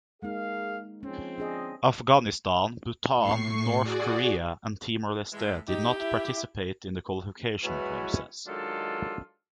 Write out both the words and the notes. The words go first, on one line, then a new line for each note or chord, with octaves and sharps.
Afghanistan, Bhutan, North Korea and Timor-Leste did not participate in the qualification process.
G#3 A#3 D#4 G#4 A#4 F5
F3 G#3 C4 C#4
D4 G#4 D#5
A2 C#6 C7
F#4 G#4 D5
A2 E3 G#3
D#4 G4
E4
E3 F#3 G#3 B3 C#4 E4
D#3 F#3 G#3 D4 F4 A4